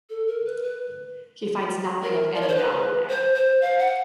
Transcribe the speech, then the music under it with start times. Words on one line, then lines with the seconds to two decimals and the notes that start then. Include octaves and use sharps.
He finds nothing of any value there.
0.10 A4
0.27 A#4
0.45 B4
0.62 B4
2.03 A#4
2.34 D5
2.41 C#5
2.48 C5
2.56 B4
3.08 C5
3.35 C5
3.61 F5
3.79 F#5